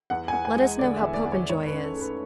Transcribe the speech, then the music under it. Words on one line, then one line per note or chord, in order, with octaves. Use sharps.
"Let us know how Popenjoy is."
E2 F#5
E2 G#5
G#5
G#3
F#5
D3 D5
E5
E2
D5
E2
C#5
G#2 C#5
B4
C#4
A4
A3 B4